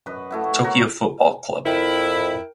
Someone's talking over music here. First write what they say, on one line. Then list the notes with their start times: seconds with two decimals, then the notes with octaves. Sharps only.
Tokyo football club.
0.06 F#2 B4 D#5
0.31 A3 E4 F#4
0.63 F#4 A#4 C#5 A#5
1.65 F2 E4 A#4 G5